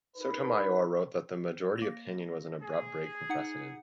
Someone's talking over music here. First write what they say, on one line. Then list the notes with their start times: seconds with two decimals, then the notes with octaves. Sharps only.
Sotomayor wrote that the majority opinion was "an abrupt break from precedent".
0.16 D#4 A#4 B4
1.77 A#3 A#6
2.61 G#4
3.29 D#4 F#5 C#7